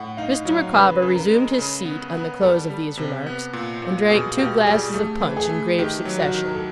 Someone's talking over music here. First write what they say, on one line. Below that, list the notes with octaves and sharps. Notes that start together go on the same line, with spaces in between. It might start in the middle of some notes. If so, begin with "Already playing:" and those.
Mr. Micawber resumed his seat on the close of these remarks, and drank two glasses of punch in grave succession.
Already playing: A2 F#5
D#4 F5
F#3 F5
C#3 B4
C#3
A#4
G#3
C#3
B3
B3
G3 A4
G3
C3
B3
A#2
A#2
B2 G#4
B2 G4
G3 G#4
A3 A4
E3
G#4
A3
D#3 G4
F#3
F#4
D#3
A#4
A4